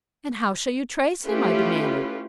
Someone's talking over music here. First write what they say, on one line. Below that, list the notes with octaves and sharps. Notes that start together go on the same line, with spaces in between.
"And how shall you trace him?" I demanded.
A3 C#4 E4 F4 G4 B4